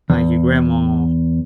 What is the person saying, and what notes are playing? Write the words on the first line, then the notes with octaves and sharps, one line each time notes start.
Uh, your grandma
E2